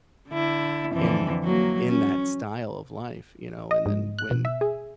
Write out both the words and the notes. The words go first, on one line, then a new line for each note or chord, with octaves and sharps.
in in that style of life, you know? And then when
D3 E4
F2 D3 E3
F#3 A#3
C#4
D#5
G#2
F#6
B2
E5
G#4